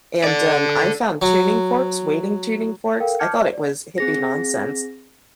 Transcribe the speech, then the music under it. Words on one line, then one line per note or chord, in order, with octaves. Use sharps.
And, um, I found tuning forks, weighting tuning forks, I thought it was hippie nonsense,
A4 D5
F#3
A4 A#4 F5 G5
A5 D6 F6 G6 G#6 C#7
C#5
D5
C4 G#4 A#6